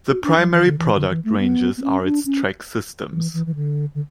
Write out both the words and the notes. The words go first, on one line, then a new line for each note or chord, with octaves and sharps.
The primary product ranges are its track systems.
F#4
D4
F#3
E3
D3
E3
D3
E3
A3
B3
B3
C#4
D4
C#4
E3
E3
E3
D3
D3